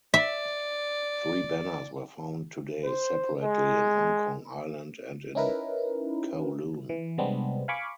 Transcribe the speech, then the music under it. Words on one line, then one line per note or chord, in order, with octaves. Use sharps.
Three banners were found today separately in Hong Kong Island and in Kowloon.
D5 E5
C5
G#3
C#4 D#4 E4 A#4 B4
E3
C3 G3 G#3 B3 C4 D4
F5 G#5 B5 C#6 D6